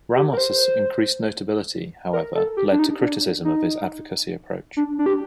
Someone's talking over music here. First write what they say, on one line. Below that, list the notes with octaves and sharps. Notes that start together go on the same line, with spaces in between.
Ramos' increased notability, however, led to criticism of his advocacy approach.
G4
A#4
C5
A#4
A4
G4
D4
D#4
D4
D#4
D4
D4
G4